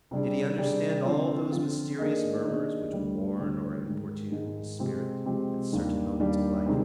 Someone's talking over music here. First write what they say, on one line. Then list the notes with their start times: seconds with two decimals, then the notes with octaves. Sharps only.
Did he understand all those mysterious murmurs which warn or importune the spirit at certain moments of life?
0.11 C3 G3 D4 G#4 D5
0.58 C3 G3 D4 G#4 D5
1.05 D3 F3 C4 F4
1.52 D3 F3 C4 F4
1.99 D#3 A#3 D4 G#4 D#5
2.45 D#3 A#3 D4 G#4 D#5
2.91 D2 D3 G3
3.38 D2 D3 G3
3.85 G#2 D#3 G#3
4.32 G#2 D#3 G#3
4.79 C3 F3 G#3 C4 G4
5.25 C3 F3 G#3 C4 G4
5.72 D#2 D#3 G3 D4 G4
6.19 D#2 D#3 G3 D4 G4
6.66 C3 D#3 G#3 C4